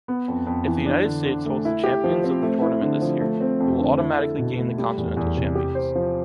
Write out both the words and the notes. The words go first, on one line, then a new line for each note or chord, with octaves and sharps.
If the United States holds the champions of the tournament this year, it will automatically gain the continental champions.
B3
F2
F2
E3
D4
D3
D3
A3
E4
G4
F3
C4
A3
E4
D3
F3
A3
C4
F2
D3
E4
A4
B2
A3
G3
E2
E2
C3
G4
C5
F3